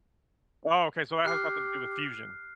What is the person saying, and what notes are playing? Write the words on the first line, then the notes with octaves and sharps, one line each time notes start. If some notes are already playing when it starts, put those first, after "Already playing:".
Oh, okay, so that has nothing to do with fusion.
G4 F6 F#6 C7